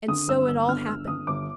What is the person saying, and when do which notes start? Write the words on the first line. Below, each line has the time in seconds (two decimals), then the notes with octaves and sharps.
And so it all happened.
0.08 D3 D#6
0.28 G1 E6
0.48 G1 E6
0.68 D3 F6
0.88 G1 E6
1.07 D3 D#6
1.27 G1 D6